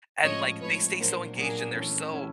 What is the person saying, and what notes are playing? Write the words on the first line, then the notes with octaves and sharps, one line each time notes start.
and, like, they stay so, engaged and they're so,
A2 F3 G#3 C#4 C#5 D#5
A2 F3 G#3 C#4 B4 C#5
A#2 F#3 A#3 D4 A#4 C5
A#2 F#3 A#3 D4 G#4 A#4
E3 A3 C#4 E4
E3 A3 C#4 E4